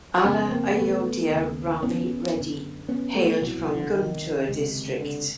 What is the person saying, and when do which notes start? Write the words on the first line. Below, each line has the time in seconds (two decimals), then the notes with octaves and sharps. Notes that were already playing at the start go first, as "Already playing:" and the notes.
Alla Ayodhya Rami Reddy hailed from Guntur district.
0.24 F2 C#3 B3 C#4
0.50 A#3 C4
0.76 A3 B3
1.31 D#2 C#3
1.83 B3 C#4
2.36 F#2 D3
2.88 B3 C#4
3.15 A3 B3
3.42 C2 B2 E3 F#3
3.68 D3
3.95 D#3
4.48 C#2 C3
5.01 D3